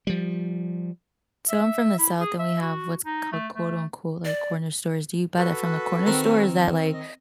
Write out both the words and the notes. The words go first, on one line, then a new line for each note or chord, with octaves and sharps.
So I'm from the south and we have what's called quote unquote, like "corner stores." Do you buy that from the corner store? Or is that, like,
F3 G3
E5
E4
G#4
E5
F#4
D#4
A3
A3
D5
F#4 A4 B4
D#3 C4 A#4
D#5